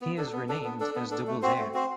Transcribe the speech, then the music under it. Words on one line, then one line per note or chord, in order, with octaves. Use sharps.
He is renamed as Doubledare.
B3
D4 A4
B3
D4 A4
B3
D4 A4
B3
D4 A4
A3
C4 F#4 C5
A3
C4 F#4 C5